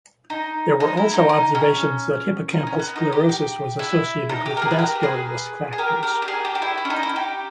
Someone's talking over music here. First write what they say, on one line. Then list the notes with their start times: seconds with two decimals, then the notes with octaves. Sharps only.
There were also observations that hippocampal sclerosis was associated with vascular risk factors.
0.30 D#4
0.80 D#4
0.97 E4
1.14 D#4
1.29 D#4
1.55 C#4
2.53 D#4
2.67 C#4
2.79 B3
2.96 D#4
3.12 G4
3.29 G4
3.79 E4
4.29 D#4
4.46 G4
4.57 A#4
4.62 G#4
4.71 B4
4.79 G4 A#4
4.95 A#4
5.03 G#4 B4
5.73 G#4
5.78 G4 A#4
6.03 G4 A#4
6.22 G4
6.28 G#4
6.45 G4
6.55 G4
6.62 E4
6.78 E4
6.85 C#4
6.90 D#4
7.03 E4
7.16 G4